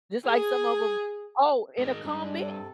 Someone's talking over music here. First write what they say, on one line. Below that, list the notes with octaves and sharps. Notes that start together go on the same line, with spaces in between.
just like some of 'em Oh, in a comment,
G#4
G#2 D#4 G#4 A#4
G2 G#3 D4
C3 A4